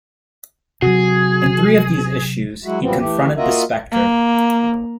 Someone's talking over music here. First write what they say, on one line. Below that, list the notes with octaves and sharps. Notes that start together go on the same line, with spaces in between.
In three of these issues, he confronted the Spectre.
C3 F#3 F#4 G#4
F#3 G#3 E4 F#4
F#2 A#2 F3 G3 B3 C4
E3 A3 G4
A#3 F4 F#4 A#4 D#5 E5
A#3